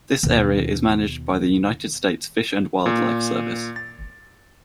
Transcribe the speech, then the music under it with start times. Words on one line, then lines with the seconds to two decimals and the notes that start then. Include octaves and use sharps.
This area is managed by the United States Fish and Wildlife Service.
0.23 D#2 B2
2.86 A#2
3.76 A6